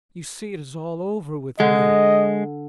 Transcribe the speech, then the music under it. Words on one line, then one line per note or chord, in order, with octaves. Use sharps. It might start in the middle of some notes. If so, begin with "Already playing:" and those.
You see it is all over with me.
D3 G#3 D#5